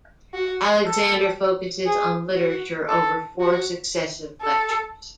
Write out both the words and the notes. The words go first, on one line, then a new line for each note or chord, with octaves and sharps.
Alexander, focuses on literature over four successive lectures.
F#4
A4
G#4
F#4
A4
F#4
A4